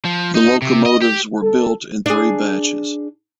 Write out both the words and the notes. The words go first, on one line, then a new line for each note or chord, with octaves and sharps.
The locomotives were built in three batches.
F3
D#4
C3
D#5
G4
A4
D4 G#4